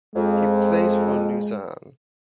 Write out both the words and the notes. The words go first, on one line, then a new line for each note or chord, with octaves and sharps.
He plays for Luzern.
F2 G#3